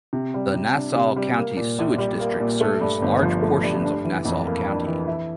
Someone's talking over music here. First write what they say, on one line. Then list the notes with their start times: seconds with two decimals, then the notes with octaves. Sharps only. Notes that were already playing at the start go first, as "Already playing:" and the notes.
The Nassau County Sewage District serves large portions of Nassau County.
0.13 C3
0.34 G3
0.54 C3
0.75 D4
0.96 C3
1.16 G3
1.37 A#3
1.57 A#2
1.79 A#1
1.98 G3
2.20 A#3
2.40 A#2
2.61 A3
2.81 G2
3.02 G1
3.22 F3
3.42 A3
3.63 G2
3.84 D4
4.04 E3
4.25 F2
4.46 A#3
4.66 D4
4.87 E3
5.07 E4